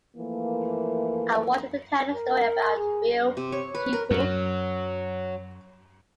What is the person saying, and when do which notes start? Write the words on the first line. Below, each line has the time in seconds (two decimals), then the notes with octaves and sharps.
I wanted to tell a story about real people.
0.17 E3 F3 A3 A#3
2.14 A#4
2.77 G#4
3.37 C3
3.52 C#5
3.75 B4
3.93 A#4
4.11 F#2 F#3